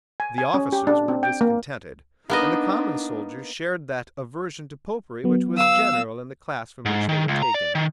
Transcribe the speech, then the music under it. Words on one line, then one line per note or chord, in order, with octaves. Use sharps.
The officers were discontented; and the common soldiers shared that aversion to Popery which was general in the class from which they were taken.
G#5
G#5
C#4
G4
D4
C4
G5
A#3
A#3 B3 D4 D#4 D#5
F#3 B3
F5 E6
G#2
D#3
C#2
A#5
D5
D#3